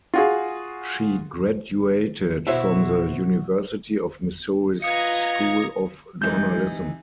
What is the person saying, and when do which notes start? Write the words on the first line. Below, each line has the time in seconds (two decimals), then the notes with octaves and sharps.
She graduated from the University of Missouri's School of Journalism.
0.14 F4 F#4 G#4
2.47 B2 E4 F#4 C5 C#5 E5
4.82 F4 B4 D#5 F5 A#5 D#6 G#6 C#7
6.21 C3 E3 G#3 D#4 G6